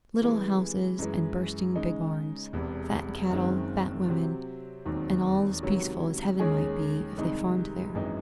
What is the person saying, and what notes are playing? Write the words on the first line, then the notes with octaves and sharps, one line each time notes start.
Little houses and bursting big barns, fat cattle, fat women, and all as peaceful as Heaven might be if they farmed there.
C3 E3 G#3
F#2 E3 G#3
C#3 G#3 D#4
E1 E2 C3
F#1 F#2 D#3 G#3 C4
C3 F#3 C4
E1 D#2 D#3 F#3 C4
C#2 C3 D#3 F#3 C#4
D#2 D#3 G#3 C#4 G#4
C2 C3 D#3 G#3 D#4
G#1 F#2 E3 G#3 D#4